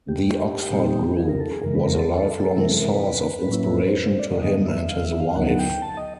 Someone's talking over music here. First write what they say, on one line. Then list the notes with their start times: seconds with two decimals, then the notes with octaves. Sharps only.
The Oxford Group was a lifelong source of inspiration to him and his wife.
0.08 G4
0.70 A#2 G3 C4 D#4
1.16 G#4
1.29 A#4
1.40 A4
1.52 G#4
1.63 F#2 C#3 E3 G#3 A#4
1.75 B4
1.86 A#4
1.98 A4
2.56 C3 E3 G#3 C4 E4 A#4
2.68 A4
2.80 A#4
2.91 B4
3.49 A2 F#3 A#3 C#4 E4
3.88 C5
3.96 B4
4.08 C5
4.19 D5
4.30 D5
4.42 G2 D3 F#3 B3 D#5
4.65 E5
4.89 F5
5.04 E5
5.20 F5
5.36 D2 D3 F#3 B3 D#4 F#5
5.59 G5
5.82 A5
5.97 D#5